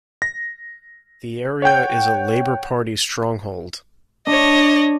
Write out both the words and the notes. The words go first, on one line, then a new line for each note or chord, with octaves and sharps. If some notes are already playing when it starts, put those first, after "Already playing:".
The area is a Labour Party stronghold.
A#6
C#5 F#5 G5 G6
D4 C#5 D#5